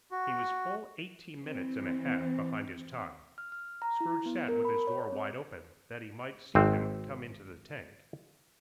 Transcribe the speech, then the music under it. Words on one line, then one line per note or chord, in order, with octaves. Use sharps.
He was full eighteen minutes and a half behind his time. Scrooge sat with his door wide open, that he might see him come into the tank.
F#4
E3 C4
F6
F6
A#5
E4
B3
A#4
B5
C#5
C4
G#1 C4